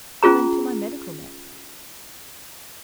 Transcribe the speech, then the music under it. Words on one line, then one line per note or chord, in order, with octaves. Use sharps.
I went to my medical man.
C#4 F4 G#4 A#5